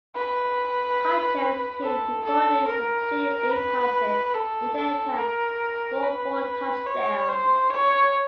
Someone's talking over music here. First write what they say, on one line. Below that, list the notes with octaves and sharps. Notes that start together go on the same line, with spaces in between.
Cochems' team reportedly completed eight passes in ten attempts for four touchdowns.
B4
A4
A4
A#4
B4
A4
A4
A#4
B4
C#5
C5
C#5